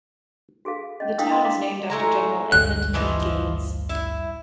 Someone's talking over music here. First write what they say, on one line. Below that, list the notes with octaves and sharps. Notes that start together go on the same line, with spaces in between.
The town is named after General Edmund P. Gaines.
F#4 G#4 A4 F5
C#4 D#5
D4 E4 F5 G5 D#6 E6
D#5 C6 D#6
F5 A#5 D6
A2 G#3 A#5
A1 D2 G2 F#6
E3 F3 D#5
E4